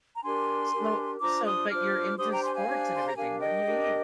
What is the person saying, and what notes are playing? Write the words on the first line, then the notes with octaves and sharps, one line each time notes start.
So so but you're into sports and everything. What do you eat?
A#5
D4 G4 A#4 G#5 C6
D4 G4 A#4
D4 F4 C5 A#5 D6
C6 D#6
D4 F4 C5 D6 F6
D4 G4 C5 C6 D#6
G5 A#5
G#5 C6
F5 G#5
D4 G4 C5
C6
A#5
D4 G4 A#4 F5 G#5
D#5 G5
D4 G4 A#4